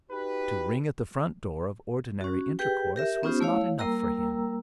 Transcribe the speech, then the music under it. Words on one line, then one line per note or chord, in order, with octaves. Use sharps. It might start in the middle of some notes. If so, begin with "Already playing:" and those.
To ring at the front door of ordinary intercourse was not enough for him.
D#4 F#4 G4 B4
C#4 F#4
G4 G#4 B4 G5
G4 A#4 E5
B3 C#4 D#4 F4 G4 C5
A3 E4 C#5 F5
G3 A#3 A#4 G5 A#5 E6